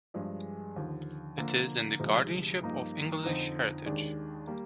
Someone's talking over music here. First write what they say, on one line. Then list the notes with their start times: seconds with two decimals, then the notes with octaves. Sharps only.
It is in the guardianship of English Heritage.
0.14 G2 F3 G#3 D4 G#4
0.76 D#2 D3 F3
1.38 D3 F3 A#3
2.00 D2 C3 F3 G#3 D#4
2.62 G2 F3 A#3 D#4
3.24 F2 D3 F3 C4 D#4
3.86 D#2 D#3 G#3 D4
4.47 G3 A#3